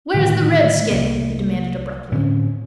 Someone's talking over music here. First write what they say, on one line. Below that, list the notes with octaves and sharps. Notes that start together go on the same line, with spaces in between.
"Where is the redskin?" he demanded abruptly.
A2 D3 D#3 A3
C2 C3 A3 A#3
A2 D3 C4 C#4